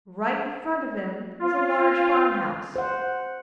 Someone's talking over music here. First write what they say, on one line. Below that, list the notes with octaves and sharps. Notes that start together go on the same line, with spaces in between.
Right in front of him was a large farm-house.
F4
C5 F#5